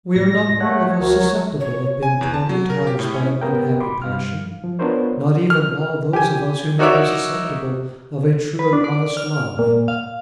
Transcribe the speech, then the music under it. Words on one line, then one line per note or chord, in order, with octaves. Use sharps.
We are not all of us susceptible of being torn to tatters by an unhappy passion; not even all those of us who may be susceptible of a true and honest love.
A2 A#6
A3 C#5 F#5
D2 F#4 A#4 C#5
F#3
C#5
G#5
E2
A5
F#3
A#4
G4
A2
C#4
B3 G4 A#4 G5
B5 C6 D6
G2 F5 F6
F3
B3 D4 F4 A#4 C5 C#5
F6
G4 G#5
D#4 F#4 A#4 C#5 D5 E5
B4
D4
D5
F6
A#2
F5